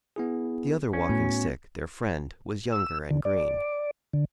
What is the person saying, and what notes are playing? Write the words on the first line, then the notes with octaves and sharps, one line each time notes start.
The other Walking-Stick, their friend, was younger and green.
B3 E4 G#4
C#4
A2 B3 F#4
E6
D3
D5
D3